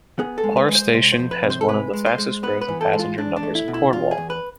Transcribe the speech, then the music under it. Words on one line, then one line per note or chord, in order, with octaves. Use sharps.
Par station has one of the fastest growth in passenger numbers in Cornwall.
B3 G#4
A4
G#3
B4
G#3
C5
C3 C5
C5
F2
B4
C3
C5
A4
G#3 B4
G#3
C5
G#3
B3 B4
B4
E3
A4
G#3
F4
E2 D4
D4
A3
E4
B2
E4
E2 F4
G#4
E2
B4